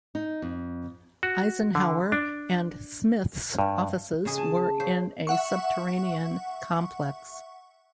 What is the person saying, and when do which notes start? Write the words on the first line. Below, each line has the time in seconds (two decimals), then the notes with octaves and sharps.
Eisenhower and Smith's offices were in a subterranean complex.
0.15 D#4
0.42 F2
1.23 F#4
1.75 D3
2.12 D4
3.59 G2
4.25 C#3 G#4
4.38 G#5 A5
4.80 C#3 C5
5.27 E5 F#5 C#6